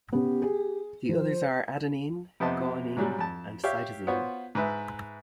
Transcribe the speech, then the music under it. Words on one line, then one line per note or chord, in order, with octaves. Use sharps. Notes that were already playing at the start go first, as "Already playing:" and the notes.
The others are adenine, guanine, and cytosine.
C#3 B3 G4
G#4
F3 C5
F2 C3 B3 C5 D#5 A5
G#2 F#3 G3
F2 A5
G4 C#5 E5 F5
B3 F4 F#4 C5 C#5
G#2 B4 E5